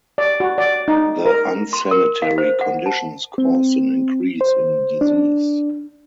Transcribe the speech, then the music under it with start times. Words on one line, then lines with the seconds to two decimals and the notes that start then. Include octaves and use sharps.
The unsanitary conditions caused an increase in disease.
0.18 D5
0.40 F#4
0.58 D5
0.88 D#4
1.26 A#4
1.73 C6
1.91 A#4
2.22 F5
2.38 C5
2.61 F#5
2.86 A5
3.38 C4
4.41 C5
5.01 D4